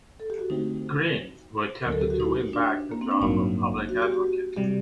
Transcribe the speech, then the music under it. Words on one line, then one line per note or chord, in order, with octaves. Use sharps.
Green, who attempted to win back the job of Public Advocate.
A4
G4
F#4
D3 A3 C4 D#4
D2 D3 F#3 A#4
A4
G4
F#4
D#4
D4
A#3
C4
D4
A1 G2 F#3 A#3 D#4
F#4
G4
F#4
C3 G3 G4